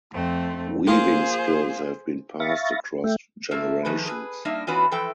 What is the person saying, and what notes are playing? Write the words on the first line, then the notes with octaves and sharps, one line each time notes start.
Weaving skills have been passed across generations.
F2 A3 C4
A#3 F4 G#4 C5
E5 F5 B5 C#6 A6 A#6
A3 E5 G5
G#2 A3 A#3 E5
D#3 F3 G#4 B4
G#4 A#4 B4
G3 A#3 D4 D#4 E5
E3 B3 C#4 F4 F#4 B4
E3 F3 A4 B4 G5